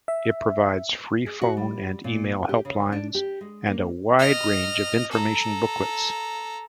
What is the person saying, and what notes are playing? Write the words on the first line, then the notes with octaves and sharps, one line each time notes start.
It provides freephone and email helplines and a wide range of information booklets.
E5
G#4
F#4
G3
A#2
G4
C#3
D4
G4
G#3
A#3
D#5 F6
A4 A#5